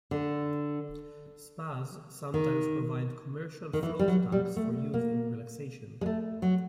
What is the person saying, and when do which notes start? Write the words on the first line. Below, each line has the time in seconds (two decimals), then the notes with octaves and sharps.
Spas sometimes provide commercial float tanks for use in relaxation.
0.11 D3
2.34 D#3
3.73 D#3
3.83 E3
3.99 G3
4.08 F#3
4.32 G3
4.56 A3
4.94 A#3
6.01 G#3
6.06 A3
6.42 F#3